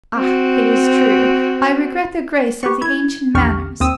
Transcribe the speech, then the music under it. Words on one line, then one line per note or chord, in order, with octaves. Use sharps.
Ah! it is true, I regret the grace of the ancient manners.
C4 F#4
G4 B4 C#6
E4 G#6
A#1 E2 D3 G4 C#6 F6
D#2 C4 D#6 E6